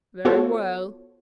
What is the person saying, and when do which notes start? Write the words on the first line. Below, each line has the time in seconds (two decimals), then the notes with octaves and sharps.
Very well.
0.25 B3 F4 F#4 A4 C5 C#5